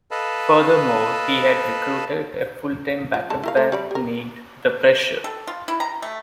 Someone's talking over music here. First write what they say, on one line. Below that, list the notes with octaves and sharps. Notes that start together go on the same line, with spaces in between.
Furthermore, he had recruited a full-time backup band, named The Pressure.
A4 B4 D#5 F5 A5 B5
F3
D3 G#3 A5
E4 A#4 F5
A3 A4 C5
G3 D5 B5
G4 A#4
A4
F4
E4
A#5
A3